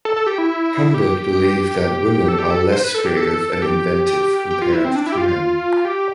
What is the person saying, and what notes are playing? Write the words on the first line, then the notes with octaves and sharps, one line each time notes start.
Humbert believed that women are less creative and inventive compared to men.
A4
A4
G4
E4
G4
A4
G4
A4
C5
B4
A4
G4
A4
A4
G4
G4
G4
F4
E4
C4
D4
E4
G4
F4
F4
G4